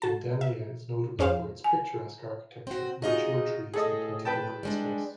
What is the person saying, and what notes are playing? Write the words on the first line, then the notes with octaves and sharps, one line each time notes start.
Lindenlea is notable for its picturesque architecture, mature trees, and plentiful green space.
F#4 A5
E5
F2 C#4 G#4 C5 F5
G#5
C4 F#4
D#4 F4 F#4 G#4 D#5 A#5
A2 G#4 A4 D#5
B4 G5 A5
G3 G#3 D4